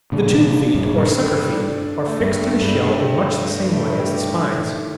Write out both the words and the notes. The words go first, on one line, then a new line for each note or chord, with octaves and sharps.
The tube-feet, or sucker-feet, are fixed to the shell in much the same way as the spines.
A#2 D3 D4
D3
C3 D#3
D4
D#3
G2 A#2
G2 A4
A4
D4
D4
A3
G2
A4
G2 A3
A4
A4
G4
A3
G4
D#3
D#3